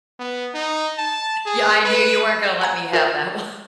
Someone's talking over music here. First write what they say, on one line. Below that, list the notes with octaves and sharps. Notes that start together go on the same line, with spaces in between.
Yeah, I knew you weren't gonna let me have that one.
B3
D#4
A5
G#4
B4
F#5 G#5 A#5 G#6
F4 A#4 C5 E5